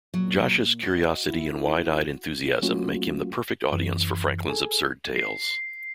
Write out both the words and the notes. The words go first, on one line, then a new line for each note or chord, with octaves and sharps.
Josh's curiosity and wide-eyed enthusiasm make him the perfect audience for Franklin's absurd tales.
A#2 F#3
F#4 D#5
E4
F#3 A3 A#3 C#4 F4 F#4
F#2 E3
G#4 A4 G#5
C7